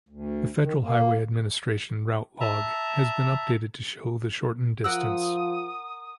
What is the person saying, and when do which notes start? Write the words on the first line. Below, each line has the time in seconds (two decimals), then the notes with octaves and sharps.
The Federal Highway Administration route log has been updated to show the shortened distance.
0.09 D2
0.60 D#3
0.82 A#3
2.41 E5 A5 A#5
4.84 F3 A#4 F#5 D#6 E6